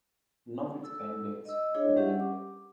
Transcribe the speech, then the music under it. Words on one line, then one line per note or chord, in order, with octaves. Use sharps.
None of its candidates were elected.
A4 E6
D#5 E6
D4 E4 G#4 C#5 D#5
G3 C#4 G4 E5 F#5
D6